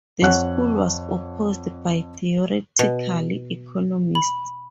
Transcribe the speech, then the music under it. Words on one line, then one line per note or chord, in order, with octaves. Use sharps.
The school was opposed by theoretical economists.
F2 C#5 F#5 F#6
B2
B5